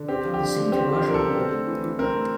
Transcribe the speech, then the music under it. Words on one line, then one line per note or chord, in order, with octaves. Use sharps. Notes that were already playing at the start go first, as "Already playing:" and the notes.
See commercial law.
Already playing: D3
C4 G4
F3
G4
D3
D3
C4 G4
F3
G4
D3 A#4
A4
D3
C4
A3
E3
E3
C4 A#4
A3